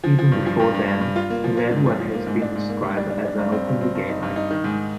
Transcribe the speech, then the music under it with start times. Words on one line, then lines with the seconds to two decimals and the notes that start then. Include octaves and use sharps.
Even before then, he led what has been described as "an openly gay life".
0.04 F3
0.19 F3
0.32 G2
0.46 F3
0.60 G2
0.74 G2
0.88 G2
1.01 G2
1.16 F4
1.30 A#3
1.44 F3
1.57 A#3
1.71 G#2
1.86 F3
2.00 F3
2.14 A#3
2.27 G#2
2.42 D4
2.55 G#2
2.69 A#3
2.82 G3
2.97 D4
3.10 D4
3.25 D4
3.39 G2
3.52 C4
3.67 G2
3.81 C4
3.95 G2
4.09 D#4
4.23 G2
4.36 D#4
4.51 D#3
4.64 G#2